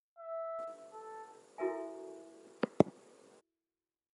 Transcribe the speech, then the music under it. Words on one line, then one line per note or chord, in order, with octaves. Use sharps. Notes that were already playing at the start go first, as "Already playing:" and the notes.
During the competition, it was known as "Herning Stadion".
E5
A4
E4 F#4 A4 A#4 E5 G#5